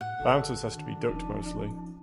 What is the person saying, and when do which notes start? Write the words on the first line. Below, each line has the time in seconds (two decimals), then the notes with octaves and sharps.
Bouncers has to be ducked mostly.
0.01 A2 F#5
0.20 G#1 D3 F#4 A4 A5
0.73 D#3 D4
1.08 E1 F3 C#4 D#4